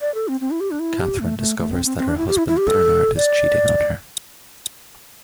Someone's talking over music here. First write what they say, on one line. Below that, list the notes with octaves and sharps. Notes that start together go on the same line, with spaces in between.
Catherine discovers that her husband Bernard is cheating on her.
D5
A4
C4
C4
E4
G4
D4
E4
G4
A3
A3
A3
C4
C4
C4
D4
E4
G4
E4
E4
G4
A4
D5